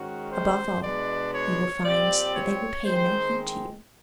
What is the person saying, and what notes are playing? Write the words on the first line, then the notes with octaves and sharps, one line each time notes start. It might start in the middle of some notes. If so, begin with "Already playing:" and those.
Above all you will find that they will pay no heed to you.
Already playing: G#2 D#3 G#3 C#4 F#4
C5
B2 G#3 B3 D4 D5
C#5
A#2 G3 C4 D5
C#5
D#3 G#3 C4 C5